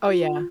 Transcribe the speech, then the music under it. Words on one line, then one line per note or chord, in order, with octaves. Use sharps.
Oh, yeah.
F4